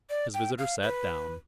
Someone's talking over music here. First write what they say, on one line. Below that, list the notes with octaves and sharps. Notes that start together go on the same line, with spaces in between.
His visitor sat down.
D5
G5
F5
B4